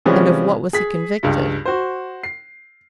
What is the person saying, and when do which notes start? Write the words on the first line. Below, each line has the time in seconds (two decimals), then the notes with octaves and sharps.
"And of what was he convicted?"
0.05 C3 E3 F3 G3 G#3 C#4
0.73 G#4 B6
1.23 C#2 G2
1.66 F#4 C5
2.23 C7